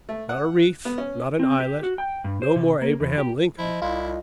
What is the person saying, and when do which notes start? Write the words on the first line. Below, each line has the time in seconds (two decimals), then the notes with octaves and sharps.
Not a reef, not an islet. No more Abraham Lincoln.
0.09 A3
0.29 F#5
0.85 B3
0.98 C#4
1.40 C4
1.60 G4
1.83 F#4
1.98 G5
2.24 G2
2.42 C5
2.56 C3
2.82 A#3
3.00 E2
3.18 G4
3.59 F3 E4 D#5
3.82 C2 E4 F4